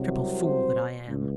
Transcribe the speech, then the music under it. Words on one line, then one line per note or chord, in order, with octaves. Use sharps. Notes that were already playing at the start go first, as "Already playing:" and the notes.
Triple fool that I am!
Already playing: C2 C3 F#3
C5
C#2